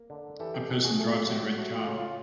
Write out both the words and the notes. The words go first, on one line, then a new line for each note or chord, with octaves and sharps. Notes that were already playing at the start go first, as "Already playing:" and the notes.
A person drives in a red car.
Already playing: A#3
D3
E3 G4 A4
G4 A4
E2
F#4 G#4
A3 G4 A4
F4 G4
A2 F#4
F#4
A3 F#4
F4
C#3
F4